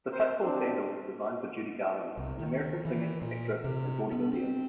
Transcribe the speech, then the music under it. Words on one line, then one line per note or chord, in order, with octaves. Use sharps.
The platform sandal was designed for Judy Garland, an American singer, actress, and vaudevillian.
C4 A#4 C5
C4 D4
C2
D#3
E3
A#2
C3
B3
C4